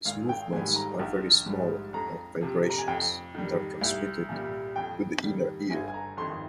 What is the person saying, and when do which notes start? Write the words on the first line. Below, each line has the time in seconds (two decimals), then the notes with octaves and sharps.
These movements are very small, like vibrations and are transmitted to the inner ear.
0.05 G#1 F5
0.29 G5
0.53 G#2 D#3 G3 G#5
0.76 A#5
0.99 A#1
1.46 G#2 G3
1.93 F2 A#5
2.41 C3 F3
2.70 A#5
2.78 G#5
2.88 F2 G5
3.35 D#3 G3
3.81 C2
4.29 A#2 G3
4.76 F2 G5
5.24 D#3 G3
5.70 G1 G#5
5.88 G#5
5.94 A#5
6.17 F2 D#3 C6